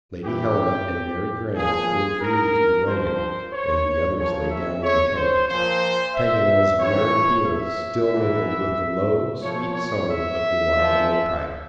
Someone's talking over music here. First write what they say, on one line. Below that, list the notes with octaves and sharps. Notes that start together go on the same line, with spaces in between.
Lady Helena and Mary Grant withdrew to the wagon, and the others lay down in the tent, Paganel's merry peals still mingling with the low, sweet song of the wild magpie.
G2 E3 G4
A#2 F3 G#4
A#4
G2 F3 C5
C#5
A#2 F3 C#5
E5
C#5
C5
A#2 F3 C5
E5
G2 E3 C#5
E5
G#2 E3
A#2 F3 C#5
C#5
E5
A#2 F3